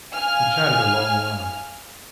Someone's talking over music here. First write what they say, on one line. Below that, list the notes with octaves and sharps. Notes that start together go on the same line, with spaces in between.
We chattered a long while.
F5 G#5 F6